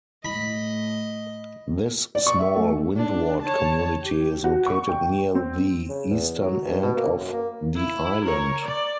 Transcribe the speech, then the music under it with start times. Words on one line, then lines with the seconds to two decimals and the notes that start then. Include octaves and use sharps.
This small windward community is located near the eastern end of the island.
0.25 A2 A3 D#5 B5
2.15 D5
2.27 C#6
2.39 E5
2.55 A3
2.96 D4
3.42 C#5 A5
4.01 G4
4.44 F#4
4.66 C#6
4.89 G5
5.35 C4
5.89 C#3
6.10 E2
6.40 F#3
6.65 G2
6.83 B2
6.97 A#3
7.17 F#2
7.33 A#3
7.75 E4
8.25 A#4 C#5
8.64 D5